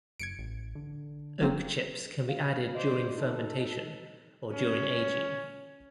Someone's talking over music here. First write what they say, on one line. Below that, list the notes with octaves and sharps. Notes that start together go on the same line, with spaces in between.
Oak chips can be added during fermentation or during aging.
F#1 G#6 C#7 D7
A1
D3
F1 F#3 A#3 C4
F5
C5 D5 D#5
D#4 A4
C#4